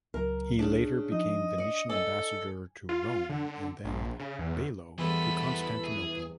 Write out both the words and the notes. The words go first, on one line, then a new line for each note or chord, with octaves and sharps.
He later became Venetian ambassador to Rome and then "bailo" to Constantinople.
C#2 F#3 A#4
C#3 D4
F3 D#4 D#5
D5 D#6 C#7
A4 D5 D#5 G#5
F4
D3
A#1
C#3
E2
E2 E3 F3 G3 B3 A4 B5
G#4